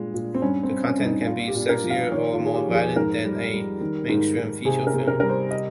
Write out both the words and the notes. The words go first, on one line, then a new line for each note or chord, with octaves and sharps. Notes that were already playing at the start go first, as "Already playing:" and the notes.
The content can be sexier or more violent than a mainstream feature film.
Already playing: G2 A#2 G#3
A#2
C4
G2 C#4
C4
G2
C#4
G2
D#4
A#2 F4
G4
A#2
A#4
F3
F5
D#3 C#5
F4
D#3
G#4
G4
F2
G#4
G#2 A#4
G3
G3
D#3
G#2
G#2
C3 G#4
A#4
C3
A#4
G3 A#4
C5
D#5